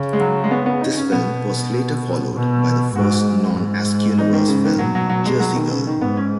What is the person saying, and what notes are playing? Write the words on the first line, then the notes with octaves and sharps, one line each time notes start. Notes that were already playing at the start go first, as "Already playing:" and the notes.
This film was later followed by the first non-Askewniverse film, "Jersey Girl".
Already playing: C#3
G#3
F#3
G#3
B3
B3
D#4
C#4
B2 B3
B2
G#2 F#4
G#2
D#4
D#3
C#3
D#3
B2 F#3
F#3
F#3
G#3
F#3
D#3
C#3
D#3
G#2 B3
C#4